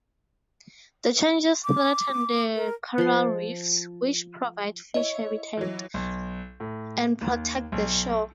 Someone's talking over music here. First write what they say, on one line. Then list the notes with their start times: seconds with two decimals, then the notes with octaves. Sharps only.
The changes threaten the coral reefs, which provide fish habitat and protect the shore.
1.64 D6
2.56 A#4
2.98 F3 C6
4.94 E4 C#5 D#5
5.57 E3 F#3
5.94 B1
6.60 A2
7.21 D#2
7.72 B1